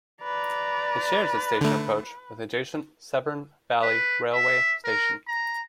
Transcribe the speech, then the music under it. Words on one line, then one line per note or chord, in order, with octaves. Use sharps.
It shares its station approach with the adjacent Severn Valley Railway station.
B4 D5 A#5
D3 A3
B4
E5
A#4
A#5